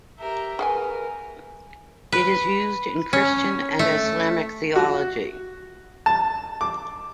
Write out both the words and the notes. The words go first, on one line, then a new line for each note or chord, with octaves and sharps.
It is used in Christian and Islamic theology.
G4 A#4 E5
G#4 A#4 B4 F#5 G#5
B4
C#4
A3
F#4
A5
D6